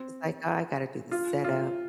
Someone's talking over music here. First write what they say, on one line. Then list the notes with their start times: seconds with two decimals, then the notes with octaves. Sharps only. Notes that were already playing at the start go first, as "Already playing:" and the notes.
it's, like, I got to do the setup
Already playing: C4
1.11 F4
1.44 F4